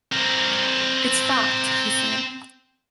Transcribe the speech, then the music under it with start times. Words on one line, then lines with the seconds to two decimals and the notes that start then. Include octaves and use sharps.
"It's fact," he said.
0.12 C4 A#4